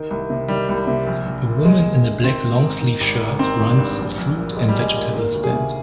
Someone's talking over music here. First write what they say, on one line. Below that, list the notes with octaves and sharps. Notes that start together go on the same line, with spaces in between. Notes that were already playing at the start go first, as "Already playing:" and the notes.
A woman in a black longsleeve shirt runs a fruit and vegetable stand.
Already playing: D#3
C2
C3
D#3 G3
C2
C3
A#1
A#1
A#2
D#2 G#3
D#2
D3
D#3 C4
G#1
G#2
D#3
G#1
G#2
D#3 C4
G#1
G2
A#1
A#1
A#2
A#1 G#3
G3
A#1
G#3
A#2
D#3 A#3
D2
G#4
C3